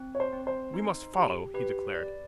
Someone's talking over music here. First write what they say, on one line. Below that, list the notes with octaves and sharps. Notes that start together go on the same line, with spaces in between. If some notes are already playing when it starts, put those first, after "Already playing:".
"We must follow," he declared.
Already playing: C4
C#5
C5
C4
C5
D#4
G4
G4 B4
D5